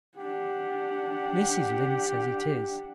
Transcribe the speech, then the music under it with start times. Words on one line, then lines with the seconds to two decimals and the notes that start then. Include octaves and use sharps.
Mrs. Lynde says it is.
0.18 D4 G4 F#5